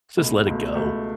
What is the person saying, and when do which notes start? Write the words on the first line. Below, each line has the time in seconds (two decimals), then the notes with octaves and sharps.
just let it go."
0.17 C#2 B2 A3
0.46 C#2 B2 A3
0.75 C#2 B2 A3